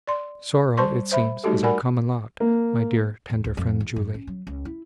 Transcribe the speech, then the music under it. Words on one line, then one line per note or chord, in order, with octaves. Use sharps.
Sorrow, it seems, is our common lot, my dear, tender friend Julie.
D5 C6
G3 C5 A5 C6 C#6
C5 E5 B5
G3 A3 D#4 F#4 G4 A4
A#4 D5 F#5 G#5 B5
A#3
E2
C#2
F2
E2
F#2
C#4
F#3
C#2
E4